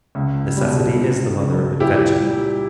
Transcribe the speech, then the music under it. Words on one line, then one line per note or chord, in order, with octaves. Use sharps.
Necessity is the mother of invention.
C#2
B2 G3
C#2
C#3 F#3
A#2 E4 G4
G3